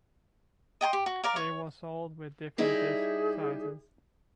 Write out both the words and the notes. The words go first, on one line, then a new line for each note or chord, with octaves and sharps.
They were sold with different disk sizes.
D#5 G5 G#5 C6
G4
F#4
A#4 D5 F5
C#5 C#6
G3 D#4 E4 G#4